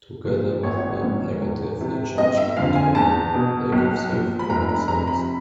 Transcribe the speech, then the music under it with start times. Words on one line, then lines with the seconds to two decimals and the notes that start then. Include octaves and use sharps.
Together with a negatively charged counterion, they give sulfonium salts.
0.25 A#2 F3
0.63 G#1 C#5
1.02 G#2 F3
1.41 E2
1.80 C3 E3
2.18 G1 D#5
2.37 E5
2.56 F2 D3 F3 F5
2.75 G#5
2.95 E2 A5
3.34 B2
3.72 B1
4.11 A#2 F3
4.39 B5
4.49 F1 A#5
4.69 B5
4.88 F2 C3 A#5
5.07 B5